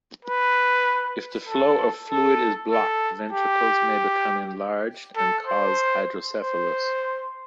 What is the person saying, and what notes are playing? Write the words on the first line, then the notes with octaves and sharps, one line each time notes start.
If the flow of fluid is blocked ventricles may become enlarged and cause hydrocephalus.
B4
A4
A4
A4
G4
A4
C5
C5